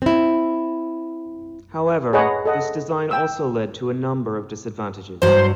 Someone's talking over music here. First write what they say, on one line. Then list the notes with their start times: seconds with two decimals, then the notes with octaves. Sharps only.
However, this design also led to a number of disadvantages.
0.02 C4 E4
2.13 G#4 B4 C#5 D#5 F#5 A#5
2.45 A4 D#5 F#5
3.11 G5 E6
5.22 G2 F#3 C5